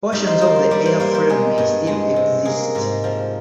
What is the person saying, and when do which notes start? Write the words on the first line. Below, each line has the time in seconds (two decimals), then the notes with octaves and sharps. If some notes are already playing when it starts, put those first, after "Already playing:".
Portions of the airframe may still exist.
0.12 G3 D#4
0.27 C5
0.41 A#3 C5
0.56 C5
0.71 G3 D5
0.86 C5
1.00 A#3 C5
1.15 C5
1.29 G#3 G#4
1.58 G2
1.87 G#3
2.16 C3
2.45 A#3 G#4
2.75 G#2
3.04 F3